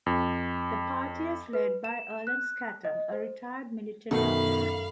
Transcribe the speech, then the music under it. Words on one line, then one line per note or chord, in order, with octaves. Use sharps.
The party is led by Erland Skattem, a retired military officer.
F2
B4
E7
F#6
D#5
C5
F#2 B2 D#3 A3 D#4 F5 B5